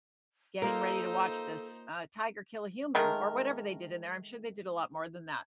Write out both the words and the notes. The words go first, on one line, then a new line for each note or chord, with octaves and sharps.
getting ready to watch this, uh, tiger kill a human, or whatever they did in there, I'm sure they did a lot more than that.
A#3 D#4 F4 A4 A#4 C5
D#3 G#3 A3 A#4